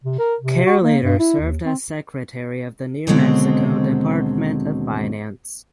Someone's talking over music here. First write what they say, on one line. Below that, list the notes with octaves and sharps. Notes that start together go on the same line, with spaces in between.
Kerr later served as secretary of the New Mexico Department of Finance.
C3
A#4
C3
F#4
A#3
G2
E4
D#2
C4
D#2 B2 D3 F#3 G#3 C4